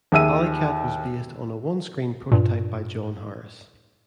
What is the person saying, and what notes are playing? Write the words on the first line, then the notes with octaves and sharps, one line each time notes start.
"Alley Cat" was based on a one-screen prototype by John Harris.
D#2 G#4 E5 E6 D#7
G2 A#2